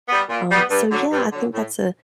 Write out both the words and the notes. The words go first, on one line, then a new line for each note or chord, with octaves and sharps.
Um, so yeah, I think that's a
G3 B3
A#2
G3 B3
G2
D3 F#3
G2
D3 F#3
A2